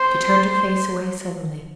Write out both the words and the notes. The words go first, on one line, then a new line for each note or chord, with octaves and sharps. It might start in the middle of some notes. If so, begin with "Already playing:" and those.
She turned her face away suddenly.
Already playing: C5